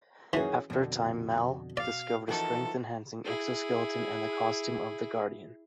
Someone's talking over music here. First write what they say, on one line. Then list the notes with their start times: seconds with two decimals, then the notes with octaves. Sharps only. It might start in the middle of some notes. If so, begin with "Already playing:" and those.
After a time, Mal discovers a strength-enhancing exoskeleton and the costume of the Guardian.
0.33 F#2 E3 A#3 C#4 D#4 F#4 G#4
0.70 F2 B2 D3
1.77 D5 F5
2.29 E3 F3 D#4 F#4 A4 A#4
3.25 E4 G#4